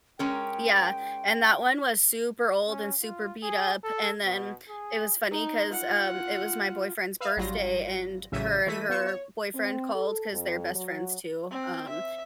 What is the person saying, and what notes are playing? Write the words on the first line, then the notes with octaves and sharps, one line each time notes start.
Yeah, and that one was super old and super beat up, and then it was funny 'cause, um, it was my boyfriend's birthday, and her and her boyfriend called 'cause they're best friends, too, um,
G#3 C#4 A#4 G5
C#4
F4
G#4
A4
B2
G#4
D#4
F4 F#5
B4 E5 F5
G#1 F#3 G3 F4 A#6
A1 C#3 F#3 E5 D#7
E3 A3 E4 B6 D#7
B3 F4 C#6 C#7 E7
C#5
C4
A4
F2
F#3
C4
E5